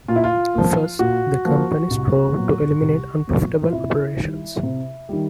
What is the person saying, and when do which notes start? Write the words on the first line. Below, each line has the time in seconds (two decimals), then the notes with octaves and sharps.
First, the company strove to eliminate unprofitable operations.
0.08 A#2 F4
0.16 E4
0.24 F4
0.55 F3 A#3
0.99 A#2 F#4
1.45 F3 A#3
1.91 C2
2.36 A#2 F#3 B3
2.81 C2
3.27 A#2 F#3 B3
3.63 F4
3.72 C3 E4
4.18 D#3 G3
4.63 C3
5.09 D#3 G3